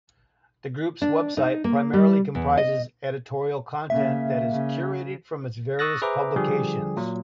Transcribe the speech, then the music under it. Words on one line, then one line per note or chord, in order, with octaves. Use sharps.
The group's website primarily comprises editorial content that is curated from its various publications.
D4
D#4
A#3
G3
E2
D#5
C#3 A#3 E5
C#3
C#6 D#6 E6 F#6 A6 A#6
G#4 B4 C5 E5 A#5 D6
D3 F3 G3 G4 G#4
A#2 F#3